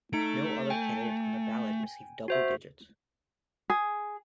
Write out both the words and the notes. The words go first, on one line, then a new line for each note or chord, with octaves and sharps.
No other candidate on the ballot received double digits.
A3 D#4 D7
G5 G#5
F#4 C5 E5
G#4